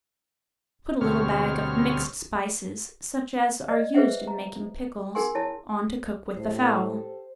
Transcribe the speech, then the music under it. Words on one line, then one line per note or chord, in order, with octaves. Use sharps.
Put a little bag of "mixed spices," such as are used in making pickles, on to cook with the fowl.
D2 B2 G3 C4 C#5 F6
D5 D#5
G#4 B4 C5 E5 F#5
A#5
D#4 G#4 A#4 F#5 G#5 C6
E4 C#5 A5
A2 G4 A4 C5